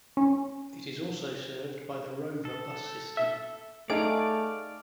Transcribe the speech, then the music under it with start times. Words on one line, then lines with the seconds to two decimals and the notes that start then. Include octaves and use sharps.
It is also served by the Rover bus system.
0.17 C#4
2.45 A4
3.17 E5
3.90 A3 D#4 G#4 D5 F5 D7